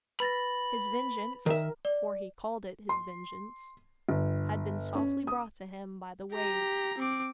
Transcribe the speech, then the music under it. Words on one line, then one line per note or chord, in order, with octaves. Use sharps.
His vengeance--for he called it his vengeance--had been softly brought to him by the waves.
B4 B5 A6 A#6
D#3 A#4 E5
D5
C6
G1
C#4
D#6
G4 A#5
C4 D6